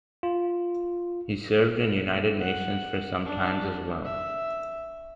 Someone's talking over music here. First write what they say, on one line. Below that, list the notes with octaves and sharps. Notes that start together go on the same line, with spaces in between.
He served in united nations for some times as well.
F4
F#5
D4
E5